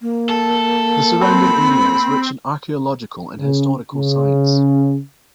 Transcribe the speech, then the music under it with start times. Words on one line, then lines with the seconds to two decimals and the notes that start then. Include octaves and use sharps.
The surrounding area is rich in archaeological and historical sites.
0.01 A#3
0.29 A4
1.21 C4 B5
3.39 C#3
3.93 C#3